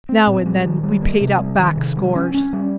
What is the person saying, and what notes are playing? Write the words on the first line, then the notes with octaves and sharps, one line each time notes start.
Now and then we paid up back scores.
C4
A#2
G3
D#3
G3
A#3
C3
G3
D#3
C3
G3
C#4
C#4
G3